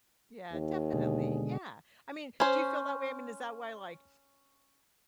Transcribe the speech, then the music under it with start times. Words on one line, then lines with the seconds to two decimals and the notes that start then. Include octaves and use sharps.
Yeah, definitely, yeah. I mean, do you feel that way? I mean, is that why, like,
0.52 D#2
0.93 B2 D3 G#3
2.40 C#4 C5